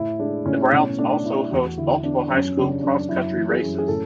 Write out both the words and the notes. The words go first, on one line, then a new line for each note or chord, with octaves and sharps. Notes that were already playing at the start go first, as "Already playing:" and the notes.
The grounds also host multiple high school cross country races.
Already playing: A2 E4
G#3 D4
A2 C#4
B2 C#4
A3 D4
A3 E4
E2 F#4
D3 E4
B3 D4
F#2 C#4
C#3 D4
F#2 D4
F#2 E4
E3
G#4
F#2
G#4
A2 A4